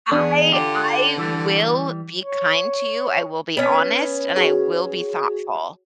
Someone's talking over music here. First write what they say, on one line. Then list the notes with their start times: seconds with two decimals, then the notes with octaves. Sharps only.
I I will be kind to you. I will be honest, and I will be thoughtful.
0.11 E2 B3 D4 G#4
0.52 D3 F4 G4
1.18 E3 G3
2.21 C#5
3.57 B3 C#4
4.36 F#4 G#4 C#5